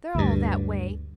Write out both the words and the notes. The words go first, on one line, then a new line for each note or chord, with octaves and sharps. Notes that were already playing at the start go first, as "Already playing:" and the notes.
They're all that way.
D2 G2